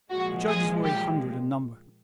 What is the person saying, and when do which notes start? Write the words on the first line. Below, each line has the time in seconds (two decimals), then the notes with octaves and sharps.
The judges were a hundred in number.
0.11 A#2 F3 G#3 F#4
0.48 G#4
0.84 G4